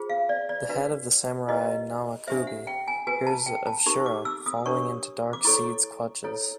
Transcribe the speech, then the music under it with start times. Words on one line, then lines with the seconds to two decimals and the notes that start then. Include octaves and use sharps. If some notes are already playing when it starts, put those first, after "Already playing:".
The head of the samurai Namakubi hears of Shura falling into Darc Seed's clutches.
Already playing: F4 G#4 C5
0.10 F5
0.29 D5
0.49 D5
0.69 D4 F#4 B4
1.48 E4 G4 B4 D#5
2.27 D4 G4 C5 E5
2.47 F#5
2.67 G5
2.88 G#5
3.07 F#4 B4 G#5
3.27 A5
3.46 G5
3.67 A5
3.86 D#4 G4 A#4 C#6
4.06 D6
4.25 E6
4.46 D#6
4.66 D4 G4 A#4 C#5 C#6
5.33 D6
5.45 E4 A4 C#5 C#6
6.24 E4 A4 C#5